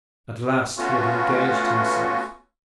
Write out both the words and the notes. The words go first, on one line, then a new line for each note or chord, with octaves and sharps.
At last he had engaged himself.
A3 B3 C#4 F4 F#4